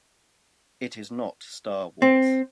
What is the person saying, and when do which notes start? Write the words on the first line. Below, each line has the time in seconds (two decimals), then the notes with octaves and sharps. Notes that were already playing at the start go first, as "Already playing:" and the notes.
It is not Star Wars.
2.02 C4